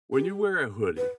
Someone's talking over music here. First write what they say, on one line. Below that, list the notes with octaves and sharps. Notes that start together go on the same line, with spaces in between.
when you wear a hoodie
G4
B4